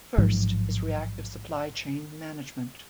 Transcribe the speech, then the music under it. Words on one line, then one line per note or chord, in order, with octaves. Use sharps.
First is reactive supply chain management.
A1 G#2 F3 F#3